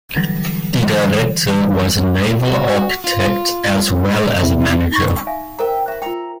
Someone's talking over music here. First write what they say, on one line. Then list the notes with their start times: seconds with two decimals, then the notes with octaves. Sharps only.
The Director was a naval architect as well as a manager.
0.16 D3 E3 F#3 G3
2.47 F#4
3.04 F4
4.43 C3 E4
4.91 D#4 B5 C#6
5.27 E5 F5 G#5
5.59 A#4 C5 E5 G5 A#5
5.88 F#4 B4 E5
6.02 F4 A#4 G5 A#5 E6